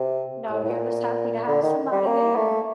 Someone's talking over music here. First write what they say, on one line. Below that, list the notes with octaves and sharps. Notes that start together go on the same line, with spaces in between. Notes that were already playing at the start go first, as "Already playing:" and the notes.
No, you're just happy to have somebody there.
Already playing: C3
A2
A2
A#2
D3
D#3
G3
A#3
A3